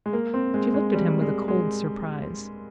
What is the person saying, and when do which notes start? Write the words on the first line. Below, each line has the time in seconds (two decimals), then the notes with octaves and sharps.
She looked at him with a cold surprise.
0.06 G#3
0.13 A#3
0.34 C4
0.54 G#3
0.74 G#3
0.95 G3
1.21 G#3
1.48 G#3